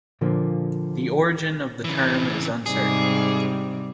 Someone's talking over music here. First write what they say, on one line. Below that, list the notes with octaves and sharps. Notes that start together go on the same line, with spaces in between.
The origin of the term is uncertain.
A#2 D3 F3 A#3
C#3 E3
G#2 C3 G3 G#4